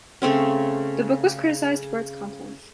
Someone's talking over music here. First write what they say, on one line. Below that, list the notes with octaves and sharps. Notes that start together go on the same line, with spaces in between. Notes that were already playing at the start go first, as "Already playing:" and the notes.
The book was criticized for its content.
C#3 A3 C4 C#4